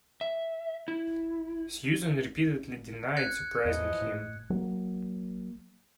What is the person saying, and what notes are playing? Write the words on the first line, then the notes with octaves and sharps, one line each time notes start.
Susan repeatedly denied surprising him.
E5
E4
F#6 G#6 C#7
E2 E3 F3 D#5
A2
F#3 A#3